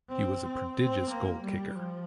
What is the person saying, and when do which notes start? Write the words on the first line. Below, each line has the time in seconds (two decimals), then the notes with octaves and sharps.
He was a prodigious goal kicker.
0.09 C4
0.42 C4
0.76 C4
1.09 A#3
1.42 G3
1.75 F3